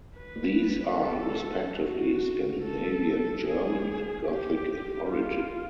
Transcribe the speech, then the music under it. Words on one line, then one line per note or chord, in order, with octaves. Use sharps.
These are, respectively, Scandinavian, German, and Gothic in origin.
B4
A4
F#4
A4
G#4
G4
F4